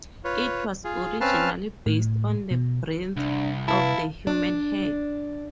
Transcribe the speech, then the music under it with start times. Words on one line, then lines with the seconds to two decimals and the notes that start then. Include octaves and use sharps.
It was originally based on the breadth of a human hand.
0.24 F4 B4 C#5
0.84 F4 G#4
1.21 C4 C#4 B4 F5 A5 F6
1.86 A2
2.51 B2
3.16 C2 D4
3.68 E4 B4 F5 A5
4.27 D4